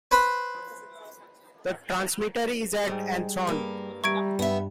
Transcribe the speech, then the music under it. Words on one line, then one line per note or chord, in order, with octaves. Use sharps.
The transmitter is at Anthorn.
B4 C5 B5
G#2 G3 G#4 G5
G2 A#3
G3 E5 A#5 C#6 G#6 D7
G2 B3 E5